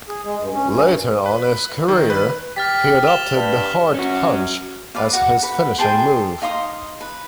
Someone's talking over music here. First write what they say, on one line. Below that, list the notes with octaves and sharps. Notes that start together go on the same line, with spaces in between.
Later on in his career, he adopted the heart punch as his finishing move.
G#4
G#3
G2
C#4
G2
B4
D#3
B4
G4 F6 A6 B6
E7 F7 G7
G2
C#4 F#4
B4 D5 F5
F#4 F#5
B4 F#5
G#4 G5 A5 C6
D#4 F5 C6 D#6
B4